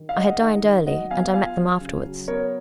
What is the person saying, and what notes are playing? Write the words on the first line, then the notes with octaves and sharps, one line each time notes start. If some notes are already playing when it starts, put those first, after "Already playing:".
I had dined early; and I met them afterwards.
Already playing: D#3
F5
G#3 D#5 F#5
D#4
D#3
F#3 D#5 F#5
B3 F5 G#5
F4 F5 G#5
F#3
C#3
F#3
B3 A#4 C#5